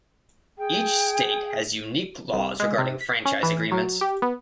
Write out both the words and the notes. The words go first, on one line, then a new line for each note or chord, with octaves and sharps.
Each state has unique laws regarding franchise agreements.
G#4 G5
C2
G#3
C3
B6
C#4
E3
F#3
G4
B3